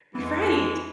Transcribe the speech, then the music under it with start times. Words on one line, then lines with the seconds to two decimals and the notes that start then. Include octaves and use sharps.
G F Right.
0.15 F2 E3 G#3 B3